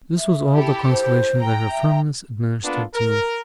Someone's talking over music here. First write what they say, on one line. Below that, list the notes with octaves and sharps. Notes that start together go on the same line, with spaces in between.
This was all the consolation that her firmness administered to me.
E5
E4 G4 A4
C5
G5 A#5
E5
A#3 B3 D4 F4 A4 B4
A#4